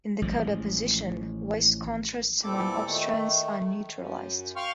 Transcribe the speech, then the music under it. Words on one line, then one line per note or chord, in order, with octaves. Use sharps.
In the coda position, voice contrasts among obstruents are neutralized.
A1 F3 G#3
E2 A#2 G3 C4 A4 D6
D#3 A3
F#2
F5 G5 C6 C#6 F6